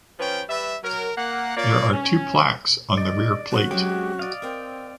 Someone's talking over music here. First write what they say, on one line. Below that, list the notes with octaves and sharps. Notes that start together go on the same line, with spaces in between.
There are two plaques on the rear plate.
F3 C#4 B4 C#5 G5
G3 B4 E5
F#3 A#4
A#3 F#5
A#3 F4 C#5 D5
C#4
D5 D#5
F#4 C#5
F#3 G#3 C4 C#4 G4 G5
D5 D#5 F5
C4 A#4 G5